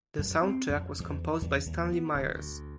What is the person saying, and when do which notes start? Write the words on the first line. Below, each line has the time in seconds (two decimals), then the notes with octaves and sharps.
The soundtrack was composed by Stanley Myers.
0.18 F#2
0.42 C4
0.69 F2
0.99 E2
1.41 E2
1.66 D#2
1.92 B3
2.14 D1
2.34 D2